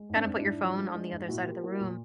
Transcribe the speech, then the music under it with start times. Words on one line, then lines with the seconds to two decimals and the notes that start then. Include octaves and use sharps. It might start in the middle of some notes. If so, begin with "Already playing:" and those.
kinda put your phone on the other side of the room.
Already playing: G#3
0.09 G#2
0.16 C4 D4
0.26 G#2
0.38 D4 E4
0.44 G#2
0.61 F3
0.77 G#3
0.95 G#3
1.12 G#2
1.28 A#2 E4 F#4
1.46 A#3 F4 G4
1.63 A#3 E4 F#4
1.81 A#2